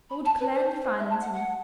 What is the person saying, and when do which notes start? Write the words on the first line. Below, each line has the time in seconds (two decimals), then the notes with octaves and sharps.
I would gladly finance him.
0.10 B5
0.25 A5
0.40 B4
0.54 C5
0.99 E5
1.10 A5
1.21 F#5
1.33 F#5